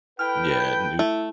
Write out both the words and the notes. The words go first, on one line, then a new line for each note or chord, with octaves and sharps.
Yeah, new
E4 A4 B4 G5 F6
G6
A3 E4